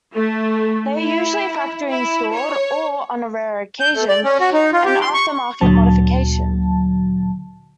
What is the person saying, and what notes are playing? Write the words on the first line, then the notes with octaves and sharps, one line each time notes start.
They are usually factory-installed or, on rarer occasion, an after-market modification.
A3
E4
E4
C#5
G6
A3
D5
C#4
F#4
D#4
F4
G4
C6
C#6
D2 A#2 D3 F#3 A5